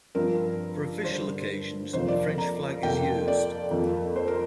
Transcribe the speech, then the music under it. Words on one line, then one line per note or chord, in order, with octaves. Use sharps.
For official occasions, the French flag is used.
G2 F3 C4 A#4
G2 D3 G3 C5
F2 C3 F3 A#3 C5
D5
A#5
F2 C3 A#3 G5
D5
F2 F3 A#3
C5
A#4